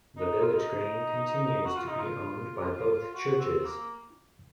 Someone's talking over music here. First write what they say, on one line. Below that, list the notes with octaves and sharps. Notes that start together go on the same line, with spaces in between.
The village green continues to be owned by both churches.
D#4
F4
D#4
F#4
F4
D#4
F4
F#4
C4
A#3